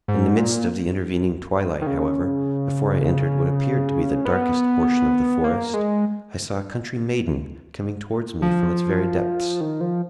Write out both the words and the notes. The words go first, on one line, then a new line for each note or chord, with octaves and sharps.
In the midst of the intervening twilight, however, before I entered what appeared to be the darkest portion of the forest, I saw a country maiden coming towards me from its very depths.
G#2
A#2
D#3
C#3
B3
A#3
G#3
F3
D#3
F3